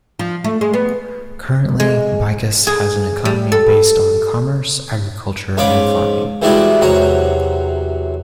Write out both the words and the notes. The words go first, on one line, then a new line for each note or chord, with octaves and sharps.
Currently, Bicas has an economy based on commerce, agriculture and farming.
F3
A3
G#3
B3
G#3
G#4
G3
A4
G#2 C#4 F4 F5 B5 D6
E3 G3 G#3 E4 F#4 D5
E2 C3 F#3 F#4 A#5